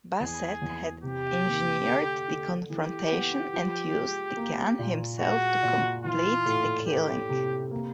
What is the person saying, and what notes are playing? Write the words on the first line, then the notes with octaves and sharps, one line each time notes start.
Bassett had engineered the confrontation and used the gun himself to complete the killing.
E2 G#4
E2
C3 G4
A#3
D3
D3
E3 G4
B3
F3
G#3
A#3
A#2
G#3 F#4
A#2
E3 F4
A2
C#4 G4
C3
A#3